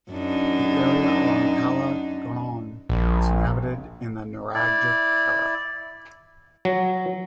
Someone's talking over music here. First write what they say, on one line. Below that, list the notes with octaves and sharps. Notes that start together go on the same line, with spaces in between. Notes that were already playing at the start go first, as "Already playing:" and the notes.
The area around Cala Gonone was inhabited in the Nuragic Era.
F#2 D4 D#4
A#1
E4 D5
F#3